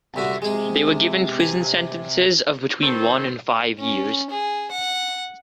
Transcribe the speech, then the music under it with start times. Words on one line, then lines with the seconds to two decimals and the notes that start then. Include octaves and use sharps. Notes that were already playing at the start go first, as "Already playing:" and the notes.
They were given prison sentences of between one and five years.
0.16 C2 D3 F#4 E5
0.42 C3 G#3 G#4
1.40 G#5
2.82 D#3 C4 A4
3.79 C#4
4.30 G#4
4.71 F#5